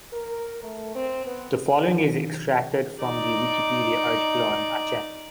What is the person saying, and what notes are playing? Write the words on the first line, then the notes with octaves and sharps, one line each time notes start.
The following is extracted from the Wikipedia article on Aachen.
A#4
A3
C4
B3
D#4 D5